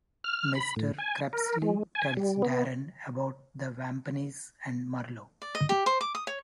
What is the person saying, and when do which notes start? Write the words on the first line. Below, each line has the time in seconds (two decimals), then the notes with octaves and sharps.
Mr. Crepsley tells Darren about the Vampaneze and Murlough.
0.24 F6
0.55 B5
0.76 A2
0.98 G#5
1.33 A#4
1.62 G#3
1.95 G#5
2.17 G3
2.42 B3
5.42 D5
5.55 D#5
5.69 G4
5.86 C5
6.01 D6
6.15 D#6
6.27 C#5